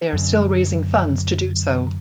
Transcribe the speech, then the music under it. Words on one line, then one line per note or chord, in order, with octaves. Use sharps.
They are still raising funds to do so.
F#2 D3